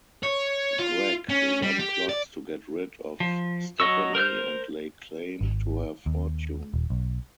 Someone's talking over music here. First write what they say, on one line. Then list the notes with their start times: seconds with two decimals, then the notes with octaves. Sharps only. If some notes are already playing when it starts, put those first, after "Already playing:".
Greg then plots to get rid of Stephanie and lay claim to her fortune.
0.23 C#5
0.79 F4
1.29 C#4
1.62 G3
1.79 G4
2.09 D5
3.20 F3
3.80 F#3 D#5 C#6 E6
4.15 A#4 C5 F6 G6
5.41 G#1
6.06 D#2
6.74 D#1
6.90 B1